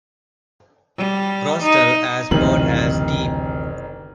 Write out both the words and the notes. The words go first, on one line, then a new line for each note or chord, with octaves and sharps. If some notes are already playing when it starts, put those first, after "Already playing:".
Rostral as broad as deep.
G3
D#4
F#1 D2 C3 D#3 E3 F#7